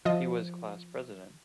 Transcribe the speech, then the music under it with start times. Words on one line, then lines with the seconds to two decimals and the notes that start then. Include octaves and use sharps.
He was class president.
0.05 F3 F4 D#5 A5